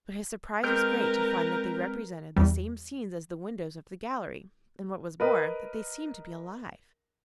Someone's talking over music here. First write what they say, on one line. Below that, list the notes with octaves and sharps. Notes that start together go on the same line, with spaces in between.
But his surprise was great to find that they represented the same scenes as the windows of the gallery, and what was more, that they seemed to be alive.
G#3 C4 A#4 B4 F6 G6 D7
E2 G3
A#4 B4 D#5